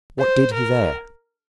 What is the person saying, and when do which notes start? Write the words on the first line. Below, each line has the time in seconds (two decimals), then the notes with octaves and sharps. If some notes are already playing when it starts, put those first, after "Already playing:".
What did he there?
0.19 C5
0.53 A#4